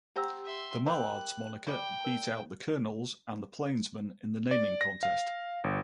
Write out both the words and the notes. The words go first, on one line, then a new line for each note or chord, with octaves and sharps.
The "Mallards" moniker beat out the "Kernels" and the "Plainsmen" in the naming contest.
C4 G4 F#5 G5 A#5 E6
E5 C6
G3 C4 G4 A#4 B5 F#6
G3 D5 G5
A#4 A5
D5
A#6
F5
G1